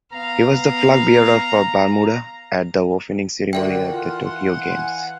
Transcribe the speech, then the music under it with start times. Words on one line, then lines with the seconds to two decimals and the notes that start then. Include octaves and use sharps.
He was the flagbearer for Bermuda at the opening ceremony of the Tokyo Games.
0.13 B3 F5 A#5
3.53 D3 F#4 A#4 E5 G5
3.90 E3 F4 F5 F#5
4.23 C6
4.73 G#5